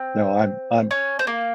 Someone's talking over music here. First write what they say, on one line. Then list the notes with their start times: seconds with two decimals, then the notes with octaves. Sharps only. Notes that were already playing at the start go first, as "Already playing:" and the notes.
No, I'm I'm
Already playing: C4
0.91 C#4
1.19 C4
1.27 A#3